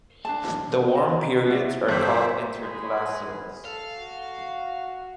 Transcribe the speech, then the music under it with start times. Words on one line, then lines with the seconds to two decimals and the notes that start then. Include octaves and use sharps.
The warm periods are called "interglacials".
0.25 D4 G#4 A5
0.95 D#5 A#5
1.50 E4 F#4 D5
1.88 G1 G4 C5 C#5 E5
2.62 G#3 B4 G#5 B5
3.65 A4 F5
3.98 F#4